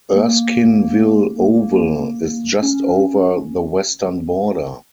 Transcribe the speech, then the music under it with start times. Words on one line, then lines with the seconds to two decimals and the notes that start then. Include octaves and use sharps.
Erskineville Oval is just over the western border.
0.15 A#3
1.39 A#3
2.62 C#4